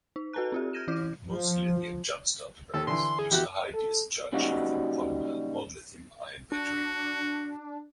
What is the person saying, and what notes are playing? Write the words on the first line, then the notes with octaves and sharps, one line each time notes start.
Most lithium jump starter brands use a high discharge lithium polymer or lithium-ion battery.
D#4
F#4 A4 B4 A5 A#5 F#6
C4 F4 G4
F6 G6 G#6 A#6 D#7 E7
E3 E4 D6 F6 G6
F3
D#2 A4
D3 E3 C6
G#4
E2 F#4 G4 F#6
A4
A#2 C#3 F#3 G3 D#4 F#4
D4 F#4